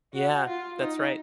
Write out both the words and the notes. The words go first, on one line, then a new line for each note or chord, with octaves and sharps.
Yeah, that's right.
F#4
F4
D#4